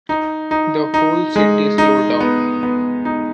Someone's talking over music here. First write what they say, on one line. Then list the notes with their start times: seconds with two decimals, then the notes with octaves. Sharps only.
The whole city slowed down.
0.09 D#4
0.51 D#4
0.94 D#4
1.36 G#3
1.78 D#4
2.20 B3
2.63 B3
3.05 D#4